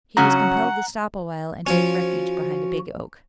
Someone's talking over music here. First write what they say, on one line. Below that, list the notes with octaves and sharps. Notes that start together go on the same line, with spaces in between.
He was compelled to stop a while and take refuge behind a big oak.
C#3 F#3 C#4 F#5 A#5
F3 C#4 F#4